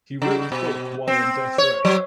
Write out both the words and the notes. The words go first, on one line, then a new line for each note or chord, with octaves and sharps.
He wrote the book while on death row.
C#3
B2
C4
C#5
F#3